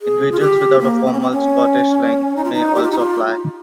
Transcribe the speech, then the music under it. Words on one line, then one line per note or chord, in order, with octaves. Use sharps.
Individuals without a formal Scottish link may also apply.
G#4
F4
G4
A#3
C4
C#4
C4
C#4
D#4
F4
D#4
G4
F4
D#4
F4